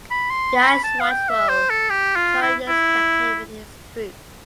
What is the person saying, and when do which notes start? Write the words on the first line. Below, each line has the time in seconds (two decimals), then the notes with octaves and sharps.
Yashwantrao joined this campaign with his troops.
0.11 B5
0.30 C6
0.56 B5
0.83 A5
1.00 F5
1.10 G5
1.29 E5
1.49 C5
1.70 A4
1.90 G4
2.16 F4
2.42 E4
2.68 E4